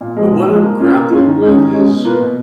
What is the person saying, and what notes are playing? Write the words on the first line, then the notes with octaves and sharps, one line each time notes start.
but what I'm grappling with is
A#2
F3 G#3
A#2
F3 G#3
A#3
C#4 F4
A#3
C#4 F4
D#3
G#3 C#4
D#3
G#3 C#4
B2
A#3 F4 B4
B2